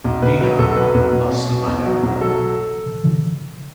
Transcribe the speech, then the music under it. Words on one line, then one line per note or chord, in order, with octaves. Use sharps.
Dinah must find out more.
B1
B1 B4
F#3 B4
B1 A4
A4
F#3 B4
B1
B1
B2
B2
B1
F#3
B1
F#3 A4